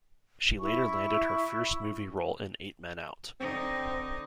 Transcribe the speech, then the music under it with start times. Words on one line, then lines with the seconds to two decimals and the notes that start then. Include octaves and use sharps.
She later landed her first movie role in "Eight Men Out".
0.60 E4 C#6
3.40 D3 C4 D#4